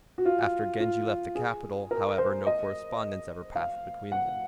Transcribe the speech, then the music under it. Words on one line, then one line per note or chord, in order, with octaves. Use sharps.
After Genji left the capital, however, no correspondence ever passed between them.
F#4
F4
F4
G#4
A#4
C5
D#5
F5
F#5